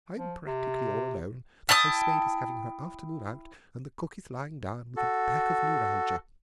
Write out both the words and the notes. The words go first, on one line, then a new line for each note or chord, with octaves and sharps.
I’m practically all alone; the housemaid is having her afternoon out and the cook is lying down with an attack of neuralgia.
F3
C3
E4 G5 A5 D#6
F#4 A4